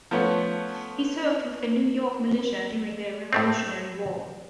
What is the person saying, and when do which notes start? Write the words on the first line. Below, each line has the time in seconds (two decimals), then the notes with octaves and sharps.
He served with the New York Militia during the Revolutionary War.
0.11 F3 A3 B3 C#4
3.33 A2 A3 C4